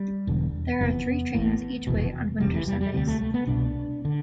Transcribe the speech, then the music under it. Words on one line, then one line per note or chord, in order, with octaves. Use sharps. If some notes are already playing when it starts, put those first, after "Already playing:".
There are three trains each way on winter Sundays.
Already playing: G3
E1 E2 D3
F1 E2 C3 B3
A1 A2
F1 E2 B2
F1 E2 C3 G3
E3
G3
G3
D2 C3 G3
A3
A3
B3
C2 B2 D4
D3